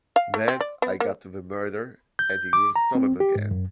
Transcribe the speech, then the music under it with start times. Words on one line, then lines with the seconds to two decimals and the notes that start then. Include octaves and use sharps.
Then I got to the murder, and he grew solemn again.
0.16 F5
0.34 A3
0.48 C4
0.61 D5
0.82 B3
1.00 A#3
2.19 G6
2.53 D6
2.76 A#5
2.95 C4
3.20 G4
3.36 G#2
3.51 F#2